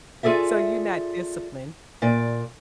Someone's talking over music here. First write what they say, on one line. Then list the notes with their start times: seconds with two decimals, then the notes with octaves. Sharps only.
So you're not disciplined.
0.23 F4 G#4 A4 D5 E5
2.02 A#2 D5